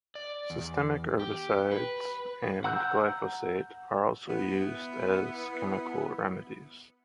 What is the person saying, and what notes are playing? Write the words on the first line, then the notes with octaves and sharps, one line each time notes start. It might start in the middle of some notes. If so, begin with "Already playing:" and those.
Systemic herbicides and glyphosate are also used as chemical remedies.
D5
E2
G4
B4
F#5 A#5 E6 F#6 G6
B3 E4